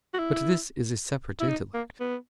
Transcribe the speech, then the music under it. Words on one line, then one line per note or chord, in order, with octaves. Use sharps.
But this is a separate intellect.
F#4
E4
E4
D#4
A#3
B3